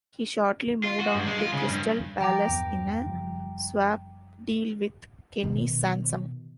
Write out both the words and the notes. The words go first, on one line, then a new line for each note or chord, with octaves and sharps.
He shortly moved on to Crystal Palace in a swap deal with Kenny Sansom.
F4
F#4
G2
G#3
F4
C#3
G2
F3 G5 A#5 D6
E2 G2 B3
F#1 F3 G3
B2 D#3